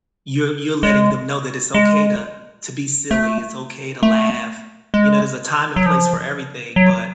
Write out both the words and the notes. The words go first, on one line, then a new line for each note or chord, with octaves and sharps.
you're you're letting them know that it's okay to to be silly, it's okay to laugh. You know, there's a time and place for everything, but
G#3
G#3
A3
A3
G#3
F#3
F3
F#3